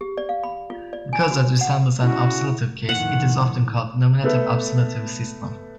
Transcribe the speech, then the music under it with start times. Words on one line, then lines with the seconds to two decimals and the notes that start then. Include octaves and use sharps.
Because that resembles an absolutive case, it is often called a nominative-absolutive system.
0.01 G4
0.17 D5
0.29 F5
0.44 B5
0.70 F4
0.93 D5
1.13 G#5
1.31 F#4
1.61 F#5
2.02 C#3 E4 F#4
2.89 F2 A2 D#3 F#5
4.24 A3 B3 A4 B4